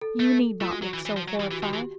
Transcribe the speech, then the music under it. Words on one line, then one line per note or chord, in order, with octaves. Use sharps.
You need not look so horrified.
A4
A3
A3 F4
G#3 F#4
F#3
E3
E3
F3
F#3
E3 G4
E3 F#4
D#3
G4
E3